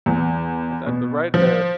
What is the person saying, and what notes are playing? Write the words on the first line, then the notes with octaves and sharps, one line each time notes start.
It's at the right the
E2
B2
F3